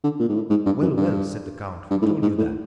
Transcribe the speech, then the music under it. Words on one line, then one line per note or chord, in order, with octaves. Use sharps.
"Well, well," said the count, "who told you that?"
D3
A#2
G#2
A2
G#2
G2
F#2
G2
G2
A2
G#2
G#2
A2